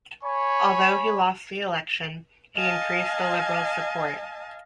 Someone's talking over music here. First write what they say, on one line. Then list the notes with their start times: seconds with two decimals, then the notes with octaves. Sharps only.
Although he lost the election, he increased the Liberals' support.
0.24 C#5 G#5 B5 C#6
2.56 D#5 F5 G#5 A5